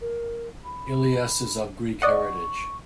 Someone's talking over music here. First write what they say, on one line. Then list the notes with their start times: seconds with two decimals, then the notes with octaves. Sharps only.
Ilias is of Greek heritage.
0.01 A#4
0.64 B5
2.02 D5 D#5 F#5 C#6